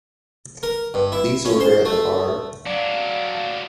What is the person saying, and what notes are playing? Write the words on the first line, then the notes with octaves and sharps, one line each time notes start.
Please order at the bar.
A#4
G2
E4
C#4
C5
A3
F#3 D4 D5 F5